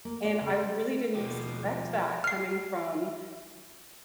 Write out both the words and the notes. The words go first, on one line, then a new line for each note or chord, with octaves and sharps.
and I really didn't expect that coming from
A#3
D5
C#3
C5
D#2 B2 F3 G4
F6 C7